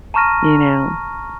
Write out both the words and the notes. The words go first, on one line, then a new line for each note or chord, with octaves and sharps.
You know?
A5 A#5 C#6 F6 A#6 D#7